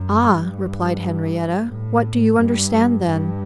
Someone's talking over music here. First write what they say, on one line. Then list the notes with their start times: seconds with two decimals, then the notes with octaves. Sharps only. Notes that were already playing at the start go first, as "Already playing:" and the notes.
"Ah!" replied Henrietta, "what do you understand, then?"
Already playing: F#2
0.24 G2
1.66 A2
2.37 G2
3.08 G2